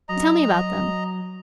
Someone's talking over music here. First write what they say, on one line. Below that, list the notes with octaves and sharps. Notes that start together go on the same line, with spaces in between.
"Tell me about them."
F#3 D#5 A#5